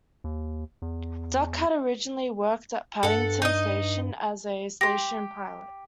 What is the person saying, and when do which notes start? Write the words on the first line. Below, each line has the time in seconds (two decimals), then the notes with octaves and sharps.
Duck had originally worked at Paddington station as a Station pilot.
0.24 D#2
0.82 E2
3.03 G2 A4 F#5
3.42 D#4 D#5
4.81 G4 C6 A#6